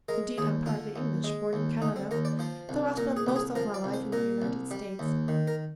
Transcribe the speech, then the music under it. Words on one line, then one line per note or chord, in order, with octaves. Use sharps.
Indeed, I'm partly English, born in Canada, though I've spent most of my life in the United States.
G#3 A#4
D#2 G#4
D3 F4
D#2
G#3
D#2
D3 D#4
C4
D#2 A#4
D5
F3 C5
C2
A#2 A#4
G#4
C2 G4
G#4
F3 A#4
D5
C2
C5
A#2 A#4
C2
G3
D#2
D#3
A#4